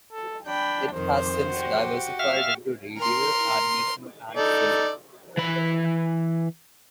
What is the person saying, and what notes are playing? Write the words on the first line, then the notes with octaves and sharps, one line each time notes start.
It has since diversified into radio, animation and film.
A4
D4 G5 B5
F2 D#3 C5
F#4 G4
E5 F5 F6
A#4 C6
D#4 A4 D5
E3 B5